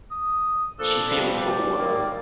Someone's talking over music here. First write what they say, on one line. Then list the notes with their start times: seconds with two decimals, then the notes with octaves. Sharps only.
She feels for all of us.
0.11 D#6
0.79 A#2 F3 D4 A4
1.10 B2 F3 G3
1.39 D5
1.79 D#3 G3 A#3